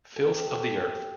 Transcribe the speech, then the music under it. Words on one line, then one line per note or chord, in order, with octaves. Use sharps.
Filth of the earth!
G4 A4
A4